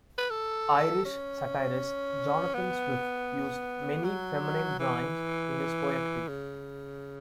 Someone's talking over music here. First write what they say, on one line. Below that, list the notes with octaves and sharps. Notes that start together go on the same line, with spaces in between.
Irish satirist Jonathan Swift used many feminine rhymes in his poetry.
B4
A4
C#4
B3
F#3
E3
C#3